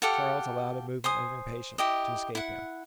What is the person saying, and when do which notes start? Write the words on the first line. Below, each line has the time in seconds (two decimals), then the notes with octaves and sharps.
Charles allowed a movement of impatience to escape him.
0.02 G4 A4 F5 F#5
1.04 C5 G#5 D#6
1.78 E4 G4 D#5
2.35 E4 F#5